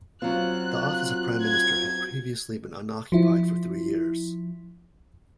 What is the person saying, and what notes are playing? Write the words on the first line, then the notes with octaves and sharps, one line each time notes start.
The office of Prime Minister had previously been unoccupied for three years.
F#3 C4 F4 F#6
G#6
F3 E4